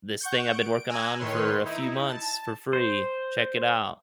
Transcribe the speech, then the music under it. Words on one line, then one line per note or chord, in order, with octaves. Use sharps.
this thing I've been working on for a few months for free, check it out."
F#5 C#6 G6
D7
G#5 A#5 E6 F#6 G#6
A2 D#3 B4 C#5 C6
D#4 E4
A5
C5